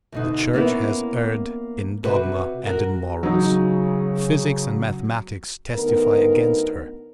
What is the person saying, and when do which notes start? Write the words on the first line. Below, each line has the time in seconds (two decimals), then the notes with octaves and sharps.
The Church has erred in dogma and in morals; physics and mathematics testify against her.
0.12 D2 B2 D#4
0.53 A#3 B3 C#4 E4
2.03 C3 F#4 B4
2.66 F#4 A#4
3.23 C#3 F#3 D#4
5.75 D2 B3 D#4 A#4